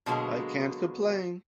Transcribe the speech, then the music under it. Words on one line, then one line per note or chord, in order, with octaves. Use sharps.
I can't complain.
B2 D3 F#3 G#3 A#3 B3